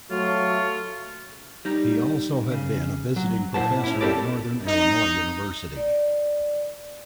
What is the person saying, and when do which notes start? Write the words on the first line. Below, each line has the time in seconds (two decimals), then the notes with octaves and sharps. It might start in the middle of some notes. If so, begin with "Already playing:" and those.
He also had been a visiting professor at Northern Illinois University.
0.11 F#3 A3 F4 C#6
1.65 G3 D#4
2.51 C#3
3.16 F#3
3.54 A#2 E4 C5 E5 F#5 A5
3.84 C#4 E4
4.01 C4 E4 G4 A4 A#4 D5
4.66 D#4
5.76 D5